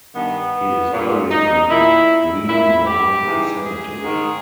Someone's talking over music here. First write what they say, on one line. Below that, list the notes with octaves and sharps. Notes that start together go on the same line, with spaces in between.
He is buried in Green Lawn Cemetery.
G2 D#3 B3
A#2
D#4
A#2 E4
A#2 E4
G4
G#2 E3
G#4
G#2 D#3